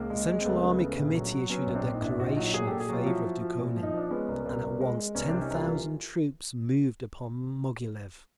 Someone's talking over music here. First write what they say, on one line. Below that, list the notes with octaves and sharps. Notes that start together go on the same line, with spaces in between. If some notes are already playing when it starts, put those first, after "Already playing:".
The Central Army Committee issued a declaration in favour of Dukhonin; and at once ten thousand troops moved upon Moghilev....
Already playing: C#2 A#3
G#3
G#3
C4
C#2 A3 B3
C#3
C#3
A#1
F#3
F#3
F#3 B3 C#4
A#1
C4 D4
A#2
D#4
A#1 D4 E4
A#1 F#4
D#4 F4
F#3
A#2 F#4 G#4
A#2 G4 A4
F#4 G#4
F#3 F4 G4
F3 E4 F#4
F3
F3
A#2
F3
D#4
F3 D4
G#3 B3 C#4
C2
C2
C2
G#3
G#3
C2 B3 C#4
C3 C4 D4
C#4 D#4
C2 F4
E3 E4